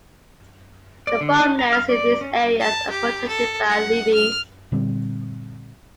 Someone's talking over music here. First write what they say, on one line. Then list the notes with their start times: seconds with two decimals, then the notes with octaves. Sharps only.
The farmlands in these areas are protected by levees.
1.07 D5
1.21 D3
1.40 D#4
1.59 A#5
1.73 F5
1.89 D5
2.21 C#4
2.60 A5
2.90 G4
3.28 A4
3.69 F#5
4.14 F6
4.72 A#2 D3 G3 C4